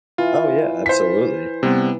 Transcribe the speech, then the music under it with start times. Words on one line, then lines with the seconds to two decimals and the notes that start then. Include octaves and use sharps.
Oh, yeah, absolutely.
0.18 E3 F4
0.86 C5 B6
1.63 C3 G3 B3